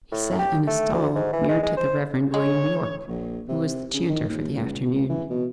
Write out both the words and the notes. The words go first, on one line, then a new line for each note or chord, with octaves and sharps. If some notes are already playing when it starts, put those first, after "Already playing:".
He sat in a stall near to the Reverend William Yorke, who was the chanter for the afternoon.
A2
G4
A3
D2
G#2
E3
G#3
G#3
C5
G#3 C#5
A#1
C3
C#3
D#3
D#2
C#2
C#2
E3
B2